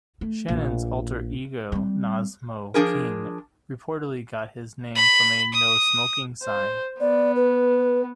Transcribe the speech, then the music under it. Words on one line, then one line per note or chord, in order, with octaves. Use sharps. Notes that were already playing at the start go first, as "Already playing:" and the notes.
Shannon's alter-ego Nosmo King reportedly got his name from a "No Smoking" sign.
A3
A#1
G3 C4
F3 D4 G#4 A#4
B5
D#6
C5
B3 D5
B4